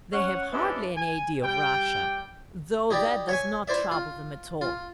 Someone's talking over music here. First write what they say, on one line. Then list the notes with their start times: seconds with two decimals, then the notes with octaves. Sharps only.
They have hardly any idea of Russia, though that does not trouble them at all.
0.13 C#4 C#5 F#5
0.52 C3 E3 G#3 B3 C#4 D4
0.96 G#5
1.43 G3 G5
2.91 D#4 E4 G4 D5
3.29 C#5 E5 G#5
3.68 E4 C5 D5 E5
3.91 F4
4.61 F4